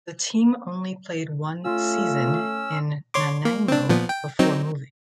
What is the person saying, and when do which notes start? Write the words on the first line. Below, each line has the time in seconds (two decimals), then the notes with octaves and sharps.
The team only played one season in Nanaimo before moving.
1.64 A3 C#4 F4 E6
3.14 C#5 C6 D6
3.45 A#3
3.68 C4 D4
3.89 A#2 F3 B3
4.09 G5
4.39 F#3 C4 D#4